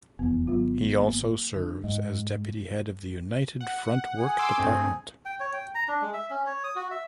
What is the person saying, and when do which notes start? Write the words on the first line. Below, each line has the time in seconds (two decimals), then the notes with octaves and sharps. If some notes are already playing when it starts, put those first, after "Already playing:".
He also serves as deputy head of the United Front Work Department.
0.19 F1 E2 B3
0.47 G#1 F#3 B3 F4
0.99 A#3
1.56 D3
1.84 G#2 D#5
3.61 F#5
4.18 G#4
4.39 C6 D6 E6
4.58 G2 A3 C4
5.25 G5
5.40 C#5
5.53 G5
5.75 A#5
5.88 D4
6.02 G#3
6.13 E5
6.30 C#4
6.46 C#5
6.64 D#6
6.76 F#4
6.91 E5